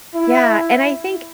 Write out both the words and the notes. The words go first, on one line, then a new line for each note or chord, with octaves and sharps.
Yeah, and I think
E4